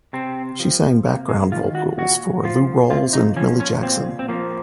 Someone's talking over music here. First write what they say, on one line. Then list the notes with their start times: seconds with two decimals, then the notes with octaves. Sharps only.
She sang background vocals for Lou Rawls and Millie Jackson.
0.13 C3 C4
0.60 F3
1.06 C3 A#3
1.29 G#3
1.52 D#3 F4
1.75 F#4
1.98 A#2 F#4
2.44 F3 F4
2.90 C3 F4
3.13 D#4
3.36 F3 C#4
3.60 C#4
3.82 A#2 C4
4.19 C4
4.29 F3 A#3